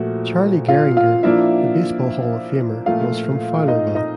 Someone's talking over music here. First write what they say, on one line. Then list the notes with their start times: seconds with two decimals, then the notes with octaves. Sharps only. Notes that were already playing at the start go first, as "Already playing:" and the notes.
Charlie Gehringer, the baseball Hall of Famer, was from Fowlerville.
Already playing: A#2 F3 A3 F#4
0.68 F4 F5
0.97 F4 F5
1.23 F3 A#3 D4 E4 F4 E5
2.86 A#2 F3 A3 F4 F5
3.68 D#4 D#5
3.95 D#4 D#5